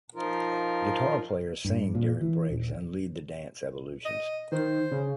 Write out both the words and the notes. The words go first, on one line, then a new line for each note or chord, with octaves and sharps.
Guitar players sing during breaks and lead the dance evolutions.
F3 D#4 F4 A#4
G2
A#2
E3
D#1
D#5
D#3 C5
C#3